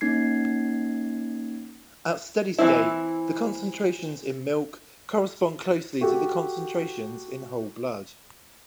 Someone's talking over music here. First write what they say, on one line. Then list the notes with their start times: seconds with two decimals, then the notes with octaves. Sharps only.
At steady-state, the concentrations in milk correspond closely to the concentrations in whole blood.
0.01 A#3 C#4 D#4 G#6 C7
2.58 E3 F3 C4 E4
6.01 F#4 G4 A4